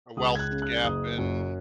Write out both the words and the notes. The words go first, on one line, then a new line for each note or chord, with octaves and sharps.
a wealth gap in
C#2 D#6
G#6
F#6
C#3
F#6
F#1 D#6
F#2